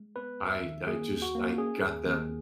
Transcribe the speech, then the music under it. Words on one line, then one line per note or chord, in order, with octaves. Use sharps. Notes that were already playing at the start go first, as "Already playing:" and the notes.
I I just I got that
Already playing: G#3
B3 B4
D#2
E5
D#3
A#3 G#4
D#2
F#4
A#3
C#4 G#4
D#2
D#2